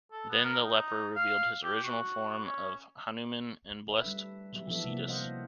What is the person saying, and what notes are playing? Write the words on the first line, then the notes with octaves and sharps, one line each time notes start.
Then the leper revealed his original form of Hanuman and blessed Tulsidas.
A4
B3
A#4
D#4
F5
G4
F#4
C#4
A3 B4 E5
G3 D4
D#3 F#3 B3 G4 E5
E3 F3 B3 D4 A4 E5
C3 A#3
E3 D4 C5 D#5 F5 F#5